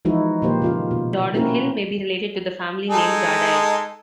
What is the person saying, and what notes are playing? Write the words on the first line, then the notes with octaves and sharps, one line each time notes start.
Jordanhill may be related to the family name "Jardine".
E3 F3 G#3 D#4 E4 F#4
A#2 D#3 F3 A#3 G4 C5
C#3 F4 F5
B2
A#3 C4 C#4 E4 F#4 A#4
G#3 D#4 A4